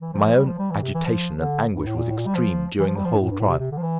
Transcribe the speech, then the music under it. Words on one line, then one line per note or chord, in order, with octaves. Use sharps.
My own agitation and anguish was extreme during the whole trial.
E3
F3
F3
G3
F3
G3
E3
C3
E3
F3
D3
G2
A2
A#2
A2
A#2
G3
F3
E3
F3
G3
F3
G2
A2
G2
A2
C3
C3
D3
F3
E3